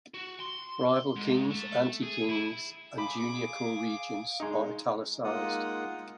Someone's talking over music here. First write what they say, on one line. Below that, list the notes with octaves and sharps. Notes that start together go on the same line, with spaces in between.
Rival kings, anti-kings, and junior co-regents are "italicized".
F#4
C6
G#2
A3
G#4
E4
G#4 F5 B5 D6
G#3 D#4
G#3 A#3 D#4 F4 F#5 D#6